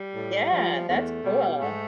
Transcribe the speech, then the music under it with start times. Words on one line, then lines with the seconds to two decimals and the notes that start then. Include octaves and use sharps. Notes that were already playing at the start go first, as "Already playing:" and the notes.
Yeah, that's cool.
Already playing: G3
0.15 A2
0.51 F3
0.87 E2 A3
1.23 B2 G3
1.60 G#2 A3